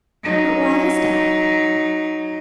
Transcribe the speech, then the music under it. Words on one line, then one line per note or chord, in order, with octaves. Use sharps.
But why is that?
F#3 D#4